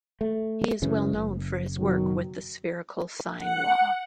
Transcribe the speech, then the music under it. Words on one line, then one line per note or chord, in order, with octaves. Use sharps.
He is well known for his work with the spherical sine law.
A3
F#2 C#3 E3
F#1
B2 D#3 F#3
F#5